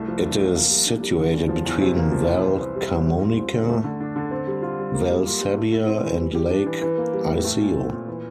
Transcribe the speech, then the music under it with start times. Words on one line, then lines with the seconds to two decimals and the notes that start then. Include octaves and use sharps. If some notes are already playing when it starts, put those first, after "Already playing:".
It is situated between Val Camonica, Val Sabbia and Lake Iseo.
Already playing: C2 A3
0.08 F3
0.23 D4
0.40 F3
0.56 A#3
0.70 G3
0.86 D4
1.02 G3
1.18 D3
1.33 E2
1.49 F3
1.65 E2
1.81 C3
1.97 A#3
2.12 F3
2.28 C2
2.43 E3
2.59 C4
2.75 G3
2.90 E2
3.06 G3
3.21 F4
3.38 C4
3.54 D3
3.69 A3
3.84 D3
4.00 D4
4.16 D3
4.31 C4
4.47 G3
4.62 F4
4.79 G3
4.94 A#3
5.10 G3
5.26 F4
5.41 G3
5.57 A3
5.72 E4
5.88 C4
6.04 E3
6.20 G3
6.35 G4
6.50 D4
6.66 E3
6.82 E3
6.98 A#3
7.13 G3
7.29 A2
7.44 A3
7.61 A#2
7.77 C4
7.92 A#2
8.08 E3